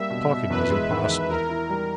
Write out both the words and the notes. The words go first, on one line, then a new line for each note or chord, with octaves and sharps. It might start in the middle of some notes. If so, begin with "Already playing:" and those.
Talking was impossible.
Already playing: G3 A#3 E5
B2
B2
E2 B4
G#3
D#3
E2
E4 A#4
E4
G3